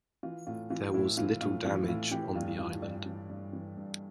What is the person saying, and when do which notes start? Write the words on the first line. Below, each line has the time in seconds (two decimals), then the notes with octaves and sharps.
There was little damage on the island.
0.23 E3 F4
0.47 A2 F4
0.70 E3 F4
0.94 A2 E4
1.17 E3 F4
1.41 A2 F4
1.64 E3 F4
1.83 E4
1.88 A2 F4
2.11 E3 G4
2.35 G2 F4
2.59 E3 F4
2.82 G2 D5
3.06 E3
3.29 G2
3.53 E3
3.77 G2